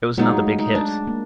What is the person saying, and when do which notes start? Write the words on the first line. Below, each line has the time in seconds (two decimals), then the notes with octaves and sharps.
It was another big hit.
0.18 F#3 G#3 D#4 F4
0.33 A3
0.58 D#4
0.75 D4
1.07 A#3